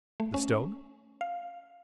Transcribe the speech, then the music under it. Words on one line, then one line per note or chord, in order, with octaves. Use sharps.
The stone?
A3
C#4
F5